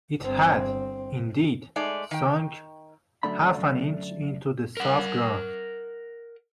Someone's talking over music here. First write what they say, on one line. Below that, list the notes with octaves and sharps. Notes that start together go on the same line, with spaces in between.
It had, indeed, sunk half an inch into the soft ground.
G1 C4
G#3 A3 D#4 D5
D#3 G5
F#2 D3 A3 D4 B5
A#4 F#5